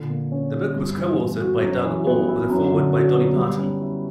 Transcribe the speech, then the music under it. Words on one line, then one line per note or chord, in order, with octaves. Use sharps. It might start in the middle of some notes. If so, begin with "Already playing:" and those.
The book was co-authored by Doug Orr with a Foreword by Dolly Parton.
Already playing: A#2 D3
A#3
C#4
G4
G2
E3
B3
F#4
F#2
E3
B3
E4
F#2
D3
F#3
B3
G3
C#4
E4